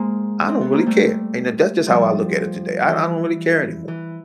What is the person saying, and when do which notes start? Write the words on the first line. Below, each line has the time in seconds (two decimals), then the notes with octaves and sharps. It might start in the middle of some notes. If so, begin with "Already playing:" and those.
I don't really care, and that's just how I look at it today. I I don't really care anymore,
Already playing: G#3 A#3 C4
0.49 C4
0.61 B3
0.74 A#3
0.86 G3 A3
1.87 F3 G3
2.87 E3
3.88 E3